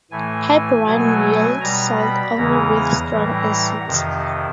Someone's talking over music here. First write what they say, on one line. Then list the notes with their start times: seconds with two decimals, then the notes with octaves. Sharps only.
Piperine yields salts only with strong acids.
0.11 A2 E3 A3 G#5
0.86 B2 F#3 A3 G#5
1.61 B2 G3 A#5
1.98 B5
2.37 E2 C#3 E3 G#3 A#5
3.12 A2 E3 G3
3.87 F2 C3 D#3